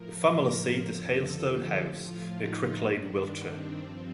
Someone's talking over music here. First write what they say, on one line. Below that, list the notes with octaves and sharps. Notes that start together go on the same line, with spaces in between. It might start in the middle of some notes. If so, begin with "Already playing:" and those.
The family seat is Hailstone House, near Cricklade, Wiltshire.
Already playing: A2 F3 A#4
A#4
F2 D3 F3 A4
G4
A2 F3 F4
D#4
G2 D#3 D4
C4
G2 F3 C4